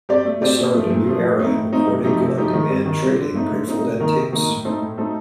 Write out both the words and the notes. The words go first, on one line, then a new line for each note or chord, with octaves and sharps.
This started a new era in recording, collecting, and trading Grateful Dead tapes.
C4 G4 D5
A3
C4 G4 D5
A#2
F3 A3
A#2
F3 A3
A2
A3 C4 D#4
A2
A3 C4 D#4
C3
F3 A3 D#4 G4
C3
F3 A3 D#4 G4
D#3
G3 C4
D#3
G3 C4
D3
A3 C4 D#4
D3
A3 C4 D#4
C3
D#3 A#3 D#4 A#4
C3
D#3 A#3 D#4 A#4
A2
A3 D#4 A4 C5
A2
A3 D#4 A4 C5